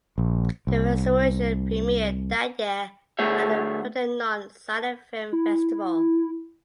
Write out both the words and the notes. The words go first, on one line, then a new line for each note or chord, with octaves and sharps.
The restoration premiered that year at the Pordenone Silent Film Festival.
A#1
C2
D2 A3 G#4 C#5 E5
E4